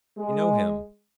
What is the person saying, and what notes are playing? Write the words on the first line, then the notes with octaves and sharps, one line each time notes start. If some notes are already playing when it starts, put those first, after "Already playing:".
I know him.
G#3